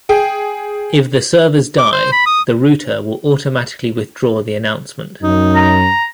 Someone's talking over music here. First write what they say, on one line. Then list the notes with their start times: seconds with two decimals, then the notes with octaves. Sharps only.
If the servers die, the router will automatically withdraw the announcement.
0.09 G#4 G5
1.78 D6
1.92 C5
2.12 B5
2.26 D#6
5.22 F#2 D#4
5.56 A#5